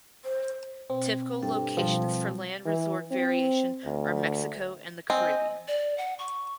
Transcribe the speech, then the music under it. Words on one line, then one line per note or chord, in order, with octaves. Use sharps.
Typical locations for land resort vacation are Mexico and the Caribbean.
C5
B2 C4
G2 A4 G5
B2 F3 G3
E3
C4
D2
C4 D#5 G#5
D5
F#5
C#6